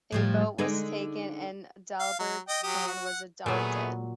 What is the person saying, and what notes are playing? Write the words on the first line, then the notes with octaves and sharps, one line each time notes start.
A vote was taken and Dalbier's plan was adopted.
A2 F3 G3
D3 G#3 D#4
F5
F#3
D#5 G5
F#3 G4 D#6
F#4
F#5
A#2 F#3 A3 B3 G#4